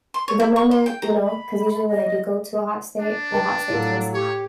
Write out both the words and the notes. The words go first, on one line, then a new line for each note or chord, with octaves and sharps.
the moment, you know 'cause usually when I do go to a hot state, the hot state tends to
C6
C#5
E4
C#6
C6
G5
A#5
B5
D#5
D4
B4 G5 A5
A2 F#3 F4 A4
G4 C#5